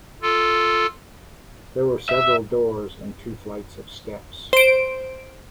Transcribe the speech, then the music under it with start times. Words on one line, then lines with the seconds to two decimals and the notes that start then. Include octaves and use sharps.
There were several doors, and two flights of steps.
0.22 F4 A4
2.09 E5
4.53 C5 D7